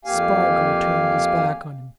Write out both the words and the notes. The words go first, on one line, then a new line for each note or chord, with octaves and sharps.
Spargo turned his back on him.
F2 A#3 G4 F5 G#5